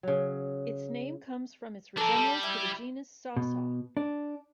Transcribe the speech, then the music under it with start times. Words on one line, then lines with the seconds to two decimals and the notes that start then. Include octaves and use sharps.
Its name comes from its resemblance to the genus "Sasa".
0.03 C#3 F#3
1.97 D4 A4 A#4
2.14 G3
2.43 E4
3.37 B2
3.97 D4